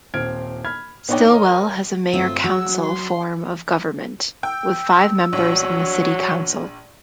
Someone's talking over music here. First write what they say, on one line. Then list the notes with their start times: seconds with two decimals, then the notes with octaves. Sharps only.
Stilwell has a mayor-council form of government, with five members on the city council.
0.14 D#1 C4 F6 G#6 D7
0.65 B5 F6 G#6
1.09 B3 D4 D#4 C#5 D5 G5
1.30 A#4 C#5 D#5
2.13 G1 A3 C4 F4 E6
2.44 F#3 F#4 E6
2.83 C6
4.43 G5 E6
5.33 A#1 F#3